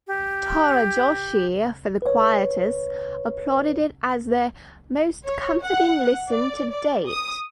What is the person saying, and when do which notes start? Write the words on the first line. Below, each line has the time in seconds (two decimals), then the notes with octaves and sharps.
Tara Joshi for "The Quietus" applauded it as their "most comforting listen to date".
0.07 G4
2.02 B4 C#5
5.26 C#5
5.63 F#5
6.31 D5
6.72 D5
7.08 D#6